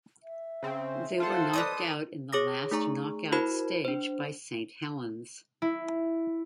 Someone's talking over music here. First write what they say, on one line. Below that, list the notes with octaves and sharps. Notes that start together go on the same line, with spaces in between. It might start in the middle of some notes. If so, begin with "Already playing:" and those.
They were knocked out in the last knock-out stage by Saint Helens.
E5
C#3 C4
F4 A4 C5 F#5
B4 D5 D#5 D#6
G#4 C#5 D6 D#6 A#6
A3 D#4 G#4 A#5 C#6
E4 F#4 A#4 C5 B5 G#6
D4 C5
E4